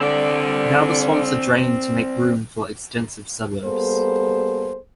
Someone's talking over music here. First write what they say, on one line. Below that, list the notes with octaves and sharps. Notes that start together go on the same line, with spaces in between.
Now the swamps are drained to make room for extensive suburbs.
D3 C4 D5
G3 A#3 B3 G#4 A4 C5